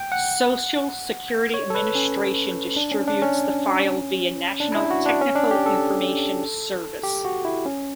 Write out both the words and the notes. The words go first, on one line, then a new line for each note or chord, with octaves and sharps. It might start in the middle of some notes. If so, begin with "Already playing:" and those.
Social Security Administration distributes the file via National Technical Information Service.
Already playing: G5
F#5
C#5
A4
B4
C#4
D4
C#4
D4
C#4
D4
E4
F#4
D4
C#4
D4
G4
A4
G4
F#4
E4
C#4